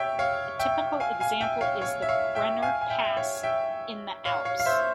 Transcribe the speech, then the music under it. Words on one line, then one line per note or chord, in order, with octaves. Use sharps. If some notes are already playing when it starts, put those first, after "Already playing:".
A typical example is the Brenner pass in the Alps.
Already playing: C#5 E5 G5
C#5 F5
E5 G5
F5 G#5
F5 G#5
E5 G5
C#5 F5
C#5 F5
E5
C#5 F5
E5 G5
F5 G#5
G#5
E5 G5
E5
C#5 F5
E5 G5
C#5 F5
C#5 F5
F5
C5 E5